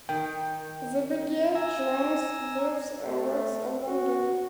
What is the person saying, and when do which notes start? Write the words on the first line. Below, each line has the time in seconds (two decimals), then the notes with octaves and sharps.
Zebedee Jones lives and works in London.
0.09 D#3 G5
1.55 G#5 A#5 E6
3.06 A3
3.87 F#4